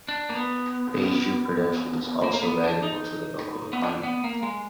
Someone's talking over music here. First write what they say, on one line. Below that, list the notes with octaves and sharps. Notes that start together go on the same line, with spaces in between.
Baijiu production is also valuable to the local economy.
D4
A#3
B3
A#3
A#3
B3
D4
D#4
B3
D4
B3
A#3
G#3